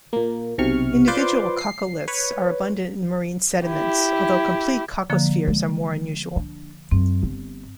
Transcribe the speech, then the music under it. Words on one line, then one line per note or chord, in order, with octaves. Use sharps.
Individual coccoliths are abundant in marine sediments although complete coccospheres are more unusual.
A#2 A#3
B1 C3 C#6 F6
F4 B4 C5 D5 C6 D6
C7
B4 C#5
E4 G4
D3 F3 A#3
G#3
D4
F#2 C4
G1